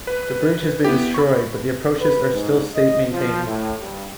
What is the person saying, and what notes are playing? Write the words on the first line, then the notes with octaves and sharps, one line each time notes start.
The bridge has been destroyed, but the approaches are still state-maintained.
B4
B3 E4 G4
B5 C#6
B4
G#2
D#5
F3
A2
G2